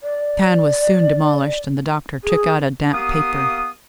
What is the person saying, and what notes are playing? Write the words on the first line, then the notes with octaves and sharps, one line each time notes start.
The cairn was soon demolished, and the doctor took out a damp paper.
D5
G#4
A#3 B3 G4 F5 D#6